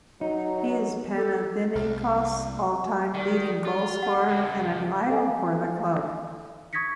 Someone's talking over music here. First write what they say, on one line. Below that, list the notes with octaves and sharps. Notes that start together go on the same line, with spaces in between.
He is Panathinaikos' all-time leading goalscorer and an idol for the club.
F#3 D#4
A4
C2
D#3 G3
F4
F#5
C#2 A#2
A4 D#5 F5 G5 G#5
C#6 D#6 G#6 A#6 B6 C#7